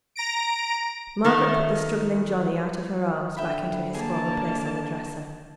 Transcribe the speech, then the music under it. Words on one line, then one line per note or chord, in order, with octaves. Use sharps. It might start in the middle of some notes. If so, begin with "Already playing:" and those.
Margaret put the struggling Johnnie out of her arms, back into his former place on the dresser.
A#5 A#6 D7
D#3 A3
D3 E5 G5 B5
A#3 G#4 A5